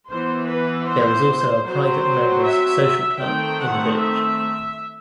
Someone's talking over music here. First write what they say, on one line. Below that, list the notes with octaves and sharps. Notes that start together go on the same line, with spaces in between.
There is also a private members social club in the village.
E3 B3 C5
B4
C5
F#3 C4 C5
E5
D#3 A3 C4 G5
F#5
E5